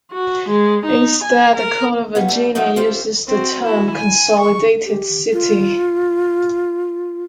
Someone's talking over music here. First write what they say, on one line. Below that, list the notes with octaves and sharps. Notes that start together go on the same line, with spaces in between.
Instead, the Code of Virginia uses the term consolidated city.
F#4
G#3
D#4
G#5
A#4
G3 B3 C#4 F4
G3 A3
F3 F#3 A3 C#4 D#4
C#4 E4 F4 G4 C5
C4 F#4
E4 F#4
G#5
C#6
G4
F4